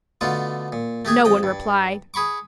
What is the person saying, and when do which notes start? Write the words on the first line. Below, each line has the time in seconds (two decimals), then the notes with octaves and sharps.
No one replied.
0.21 B2 D3 A3 F4
0.72 A#2
1.05 A3 G4 G#4 G#5
1.25 F2 D#5 G5
1.43 G2
2.14 G#4 B5 C#6 D6